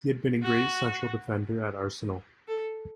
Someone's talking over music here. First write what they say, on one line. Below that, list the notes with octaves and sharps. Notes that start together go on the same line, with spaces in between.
He had been a great central defender at Arsenal.
F#4
A4